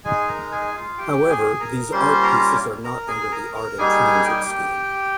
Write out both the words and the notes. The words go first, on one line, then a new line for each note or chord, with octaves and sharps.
However, these art pieces are not under the Art in Transit scheme.
G#3 D#4 G#4 G#5
A#4 A#5
G#4 G#5
F4 F5
G4 G5
G#4 G#5
A#4 A#5
G3 A#3 C#4 F4 C5 C6
A#4 A#5
A#4 A#5
G#4 G#5
A#4 A#5
A#4 A#5
G3 A#3 D#4 G#4 G#5
G4 G5